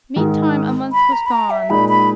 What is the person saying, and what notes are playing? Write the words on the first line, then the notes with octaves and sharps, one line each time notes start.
Meantime a month was gone.
G#2 D#3 G#3
B5
A#5
B5
A#5
E5
A#2 G#3 D#4 B5
B5